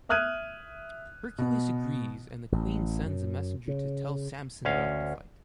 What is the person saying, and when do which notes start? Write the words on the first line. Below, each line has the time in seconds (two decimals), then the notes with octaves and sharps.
Hercules agrees and the queen sends a messenger to tell Samson about the fight.
0.09 E5 D#6 F6 F#6 G#6 D#7
1.38 B2
2.52 A1
3.06 F#2
3.68 C#3
4.65 D2 C#4 F5